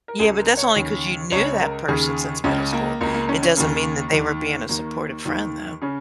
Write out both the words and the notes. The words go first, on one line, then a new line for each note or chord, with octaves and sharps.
Yeah, but that's only because you knew that person since middle school. It doesn't mean that they were being a supportive friend though.
A#4
C#2 C#3 G#4
A#4
C#5
D#2 C#3
C#2 C#3 C#5
A#4
D#2 C#3 G#4
C#2 C#3 C#4
A#3
C#2 C#3 A#3
A#3
C#4
C#4
D#2 C#3 A#3
D#2 D#3
D#2 D#3 A#3
D#2 D#3
C#3 C#4